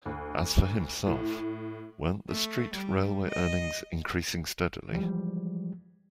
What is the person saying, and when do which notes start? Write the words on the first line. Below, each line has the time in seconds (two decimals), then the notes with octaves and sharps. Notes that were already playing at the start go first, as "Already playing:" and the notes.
As for himself, weren't the street railway earnings increasing steadily.
0.06 D2
1.07 A2
2.28 A3
2.74 G3
3.31 D#5
4.92 E3 F3 G3 G#3